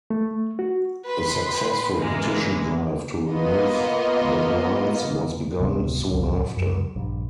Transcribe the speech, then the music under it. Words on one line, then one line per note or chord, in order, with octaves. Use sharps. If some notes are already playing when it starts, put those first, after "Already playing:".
A successful petition drive to remove the blinds was begun soon after.
A3
F#4
B4 B5 C6
G#2 C#3 E3 G#3 A#3
A#3 B3 F4 D#5
D1 C3 F#3 B3
D1 C2
F#2
A#1 G2